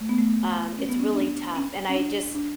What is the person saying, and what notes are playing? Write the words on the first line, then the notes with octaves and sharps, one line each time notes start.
Um, it's really tough, and I just
A3
B3
A3
C#4
B3
C#4
D4
C#4
C#4
C#4
D4
D4